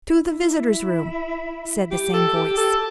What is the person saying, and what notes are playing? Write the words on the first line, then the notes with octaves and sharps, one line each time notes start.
"To the visitors' room!" said the same voice.
E4
G4
A4
G4
A4